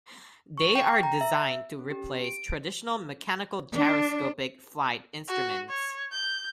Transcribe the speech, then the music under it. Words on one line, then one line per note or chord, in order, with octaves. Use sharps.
They are designed to replace traditional mechanical gyroscopic flight instruments.
C#6
G5
A#5
E5
C#4
G4
D7
D4
F#4
C#5
G6